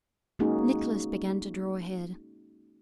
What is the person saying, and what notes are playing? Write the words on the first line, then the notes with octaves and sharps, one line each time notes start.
Nicholas began to draw ahead.
G#3 A#3 C#4 D#4 F#4 G#4